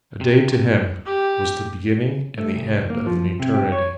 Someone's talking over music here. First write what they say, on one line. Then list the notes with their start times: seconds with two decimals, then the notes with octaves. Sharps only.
A day to him was the beginning and the end of an eternity.
0.21 C3
1.06 G4
2.38 A3
2.55 C2
2.90 A#3
3.07 F3
3.40 C3
3.54 G4
3.72 C#5